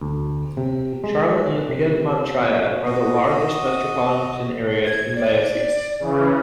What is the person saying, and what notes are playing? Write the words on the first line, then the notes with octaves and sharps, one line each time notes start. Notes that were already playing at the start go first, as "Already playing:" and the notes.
Charlotte and the Piedmont Triad are the largest metropolitan areas in the diocese.
D2
C3
G#3
C3
F#4
F#4 D#5
G#6
D5
C#3 E3